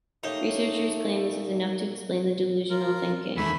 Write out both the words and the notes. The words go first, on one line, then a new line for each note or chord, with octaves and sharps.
Researchers claim this is enough to explain the delusional thinking.
A3 A#3 D#4 G4 C#5
F4 A#4
E2 D#3 A3 G#5 B5 E6